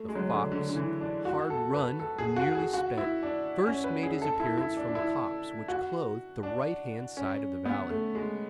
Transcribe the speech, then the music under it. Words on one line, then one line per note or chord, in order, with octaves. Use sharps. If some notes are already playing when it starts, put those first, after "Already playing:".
The fox, hard run, and nearly spent, first made his appearance from the copse which clothed the right-hand side of the valley.
Already playing: A3
G#3
F#3
D3
D3
D3
E3
D4
F#4
A4
B4
A4
G#4
F#4
G#4
F#4
E4
D4
C#4
B4
G#4
A4
E4
E4
D4
D4
E4
F#4
D4
C#4
B3
A3
G#3